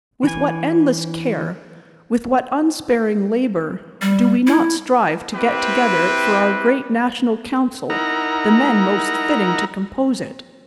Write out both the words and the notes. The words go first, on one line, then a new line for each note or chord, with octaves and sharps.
With what endless care, with what unsparing labour, do we not strive to get together for our great national council the men most fitting to compose it.
E3 G#5
G3
E4
C4 E4 G4 B4
D#4 E4 A#4 F#5 A#5